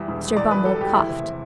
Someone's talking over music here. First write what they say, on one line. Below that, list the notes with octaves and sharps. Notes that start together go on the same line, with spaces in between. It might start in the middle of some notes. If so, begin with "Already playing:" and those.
Mr. Bumble coughed.
Already playing: E2 G3 E5
E1
E2
E2 D5
B2 B4
G3 A4
E2 G4
E3 E4
C3
C3